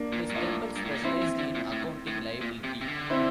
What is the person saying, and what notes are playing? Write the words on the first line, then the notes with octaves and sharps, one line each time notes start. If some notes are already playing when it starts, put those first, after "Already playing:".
Ms. Temple specialized in accounting liability.
Already playing: A#3 D4
A#2
G2
A2 D4 F4
G2
A2
A#2
C3 C4 E4
E3
D3
A#2
A2
A2
A#2
C3
C3
D3
C4 E4